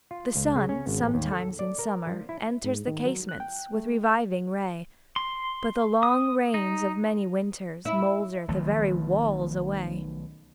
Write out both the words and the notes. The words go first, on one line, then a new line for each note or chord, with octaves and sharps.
The sun, sometimes in summer, enters The casements, with reviving ray; But the long rains of many winters Moulder the very walls away.
F4
C#2
C#3
C#4
G#1
A1
D#2
A4
D5
A#4
F3
E4
G#2
D#3
F#3
F#6
G5
A3
C6
D#6
D#4
E4
B1 D#3 F3 A3